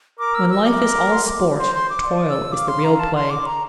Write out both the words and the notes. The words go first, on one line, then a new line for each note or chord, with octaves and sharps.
When life is all sport, toil is the real play.
A#4 D6
E6
E6
A#4 D6
C6
D6
C5 C6
C6
D6
D5
E6
F5 D6
C6
A#5
A5
C6
D6
A#5